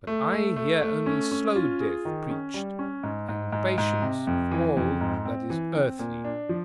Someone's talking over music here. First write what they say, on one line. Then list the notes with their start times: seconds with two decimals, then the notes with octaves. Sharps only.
But I hear only slow death preached, and patience with all that is "earthly."
0.07 A3
0.32 A3
0.56 A3
0.82 A3
1.06 C#4
1.32 C#4
1.56 F4
1.80 G#4
2.05 D#3
2.30 C#4
2.54 G3
2.79 C#4
3.03 G#2
3.29 G#2
3.52 G#2
3.78 G#2
4.02 C3
4.27 F2
4.51 E3
4.77 F2
5.01 G#2
5.25 C4
5.50 E3
5.75 C4
5.99 A#2
6.25 D4
6.49 F3